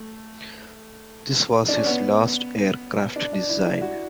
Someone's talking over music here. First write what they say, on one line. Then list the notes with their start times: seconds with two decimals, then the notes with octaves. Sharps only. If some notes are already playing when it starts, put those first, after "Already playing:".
This was his last aircraft design.
Already playing: A3
1.68 D4
1.76 C#4
1.86 B3
3.16 D4
3.33 D4
3.49 E4
3.65 E4
3.81 F#4